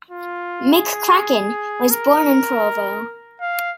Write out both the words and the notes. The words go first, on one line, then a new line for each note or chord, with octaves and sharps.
McCracken was born in Provo.
F4
G#4
A#4
F5